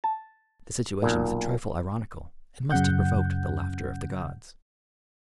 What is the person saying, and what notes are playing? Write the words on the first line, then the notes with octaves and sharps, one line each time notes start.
The situation was a trifle ironical, and must have provoked the laughter of the gods.
A5
B1 A#2
F#2 C#3 F#5 G6